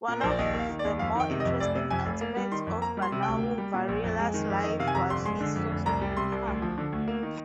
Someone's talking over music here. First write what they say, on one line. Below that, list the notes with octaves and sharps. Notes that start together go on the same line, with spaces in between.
One of the more interesting aspects of Bunau-Varilla's life was his source of income.
A#2 A#4
A#1 C5
D5
D#2 D#5
A#3
F5
D#3
D5
D#2
F2 F5
D#3 G5
C3
D#5
F2
F1 D5
C3
F2 G#5
F1
A#3
G3
D#3 C6
F2
A#3 A#5
G3
C6
C3
G5
D2
A#3
G3
A#2
A#1
F2
G#3
D#3
F2
D#3 D#5
C3 F5
G#5
F2 A#5
G1 C6
G#3 C6
D3
F2
F1
C2 A#5
G3
C3 C6
C2
D2
F3
D3
D2
A#3
D#3